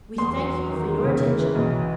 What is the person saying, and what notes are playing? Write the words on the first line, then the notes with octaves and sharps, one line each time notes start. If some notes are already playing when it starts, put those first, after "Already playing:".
"We thank you for your attention!"
E2 C6
F#3
F#3
D#3
G#3
C#3
E3
E3
B1